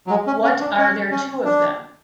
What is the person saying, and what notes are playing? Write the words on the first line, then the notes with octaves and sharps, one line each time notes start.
What are there two of them?
F#3
G#3
C#4
C#4
D4
C#4
C#4
D4